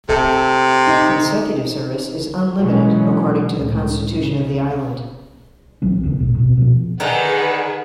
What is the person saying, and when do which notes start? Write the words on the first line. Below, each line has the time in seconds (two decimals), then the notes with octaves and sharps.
Consecutive service is unlimited, according to the Constitution of the Island.
0.09 C3 A4 E5
0.87 D#4
2.60 B2 E3 F#3 G#3 C#4
3.57 C#2 A2
4.19 C#3
5.82 G#1 E3 F#3 C4
6.03 D#1 D2 C#3 B3
6.19 E1 A1 D#2 B2
6.38 B2 C4
6.57 B2 F3
7.00 D3 D#3 G#4 B4 F#5 A#5